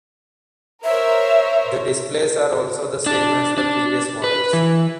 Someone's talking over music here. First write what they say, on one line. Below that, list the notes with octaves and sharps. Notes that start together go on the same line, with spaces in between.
The displays are also the same as the previous models.
A#4 C5 C#5 E5
D4
D4
B4
E3